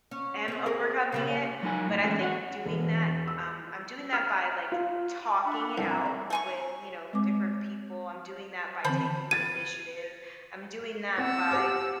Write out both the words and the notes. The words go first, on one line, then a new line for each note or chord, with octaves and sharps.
am overcoming it, but I think doing that um, I'm doing that by like talking it out with, you know, different people; I'm doing that by taking the initiative; I'm doing that by
C#4
C4 G#4
G#4 A#4
C#3 G3 A#3
F#3 D#4 G#5
A2
E3 G#3 A3 C#4
F#4 C#5 F#5
E1
E6
F6
F4
D4 E5 F#5
C2 B3 C4 A4
E4 F#4 A#5
A3 G#5 C#6
G#3 C4 D6
D3 E3 C4 C5 A5 B5
G#6 A6 D#7
C4 F#5 E6
G4 C5 D6